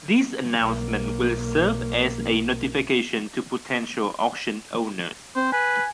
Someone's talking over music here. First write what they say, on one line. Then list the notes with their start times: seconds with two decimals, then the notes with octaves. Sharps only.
This announcement will serve as a notification to potential auction owners.
0.59 B1 A#3
5.35 C4 C5
5.52 B4 G#5